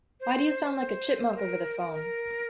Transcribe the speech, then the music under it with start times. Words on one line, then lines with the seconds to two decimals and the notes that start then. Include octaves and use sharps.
Why do you sound like a chipmunk over the phone?
0.20 C5
0.78 C5
1.35 A#4
1.92 A#4